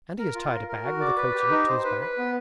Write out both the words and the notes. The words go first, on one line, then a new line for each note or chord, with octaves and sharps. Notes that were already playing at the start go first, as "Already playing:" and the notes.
'And he has tied a bag with a coat in it to his back.'
A#4
F4
A#4
A#4
F#4
D5
B4
G4
D#4
C5
B4
B4
B3